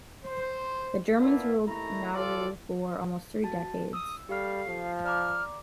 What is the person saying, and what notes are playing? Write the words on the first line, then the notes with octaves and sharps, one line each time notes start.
The Germans ruled Nauru for almost three decades.
C5
A#3 B3 D4 E4 F4
D#2 A3 E4 A#5
F3 G3 F4 A4 D5
F#4 A5 A6
D#6 E6
G3 G4 A4 F5 F6
F3
D5 A#5 D6 F6